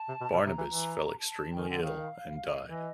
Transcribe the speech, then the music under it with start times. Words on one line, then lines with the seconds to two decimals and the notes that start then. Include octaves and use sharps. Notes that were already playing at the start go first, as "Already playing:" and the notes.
Barnabas fell extremely ill and died.
Already playing: A5
0.08 C3
0.21 B2
0.33 B2
0.45 C3 A#5
0.58 E3
0.69 E3
1.19 A5
1.52 G5
1.56 D#3 G#5
1.68 D3 G5
1.80 D#3 F5
2.66 E3 D#5